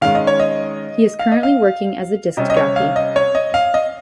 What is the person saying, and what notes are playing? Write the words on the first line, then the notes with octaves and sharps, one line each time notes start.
He is currently working as a disc jockey.
D#3 G#3 C#4 F5
D#5
C#5
D#5
F5
D#5
F5
C3 G3 C#4 D#5
D#5
C#5
F5
D#5
C#5
D#5
F5
D#5